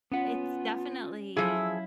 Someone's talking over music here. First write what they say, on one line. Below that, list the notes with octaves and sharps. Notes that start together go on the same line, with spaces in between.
It's definitely
B3 C#4 F4 F#5
F3 F#3 E4 G#4 E5 F5 E6